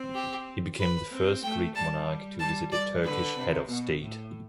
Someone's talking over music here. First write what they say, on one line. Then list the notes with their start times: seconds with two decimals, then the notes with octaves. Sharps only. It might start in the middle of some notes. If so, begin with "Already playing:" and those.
He became the first Greek Monarch to visit a Turkish Head of State.
Already playing: C4
0.15 G4
0.79 B4
1.11 C4
1.43 A3 G5
1.75 G3 A5
2.39 G3 A5
2.72 D5
3.04 D3 B4
3.37 C3
3.69 B2
4.00 A2